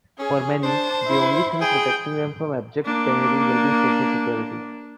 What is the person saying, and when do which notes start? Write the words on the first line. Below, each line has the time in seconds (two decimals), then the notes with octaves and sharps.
For many, the only thing protecting them from abject penury will be Social Security.
0.19 C#4 G#4
0.63 D4 C5 A5
1.07 E4
1.61 G#4 G5
2.85 A#3 D4